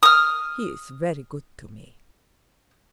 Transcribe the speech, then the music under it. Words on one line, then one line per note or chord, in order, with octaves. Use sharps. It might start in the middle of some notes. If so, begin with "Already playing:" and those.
He is very good to me.
D#6 F6